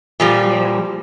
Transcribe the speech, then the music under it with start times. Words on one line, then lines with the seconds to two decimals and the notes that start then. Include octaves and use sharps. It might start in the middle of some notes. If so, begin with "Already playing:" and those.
you know,
0.20 A#2 F3 G3